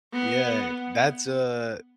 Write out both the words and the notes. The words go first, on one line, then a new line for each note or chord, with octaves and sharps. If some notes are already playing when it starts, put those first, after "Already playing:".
Yeah. That's a
B3